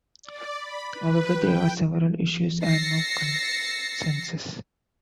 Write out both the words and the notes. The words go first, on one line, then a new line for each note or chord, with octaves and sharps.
However, there are several issues and no consensus.
D5
B5
B4
G5
E6 A6 A#6 C7 C#7